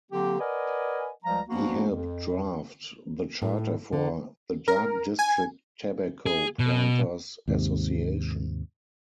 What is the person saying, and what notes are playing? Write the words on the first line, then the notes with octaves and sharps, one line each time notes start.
He helped draft the charter for the Dark District Tobacco Planters Association.
D3 F#3 A#3 C4 G4
A#4 B4 D5 D#5 F#5 G#5
C#2 F3 G3 F5 A#5
F3 A#3 B3 C#4 D4 F#4
F2
A2
D3
A#4
G#5
G#4
B2
D#2 G#2 C3